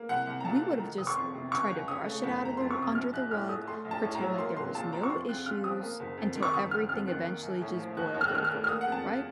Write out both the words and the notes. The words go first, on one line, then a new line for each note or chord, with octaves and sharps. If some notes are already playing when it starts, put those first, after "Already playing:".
we would've just tried to brush it out of the r under the rug, pretend like there was no issues, until everything eventually just boiled over," right?
Already playing: A#3
C2 F#5
C2
A#5
A#2 A5
A3
D#3 A#5
F1 D#6
C#6
F2 C6
C3
C#2 C#6
C#2
C#3 D#6
A3
F#1
F#1 A#5
F2 C6
C#6
C3
D#6
A#1 F6
A#1 F#6
A2 F6
A3 D#6
A3 C6
A#1
A5
A2
A#5
F#3
A#3 C6
C2 C6
A#2 A5
F3 A#5
C#6
F2 C6
F2 F#6
C#3 F6
F3 D#6
A#3
F#1
F2
D#3
C#6
F#1 D#6
F#1 F6
F2 F6
D#3 F#6
A#3
A#1
A2
F3
D#2 F#6
D#2
F6
F#6
D#3 F6
F6
A3
F6
A#3 D#6
F#5
F2
A5
C#3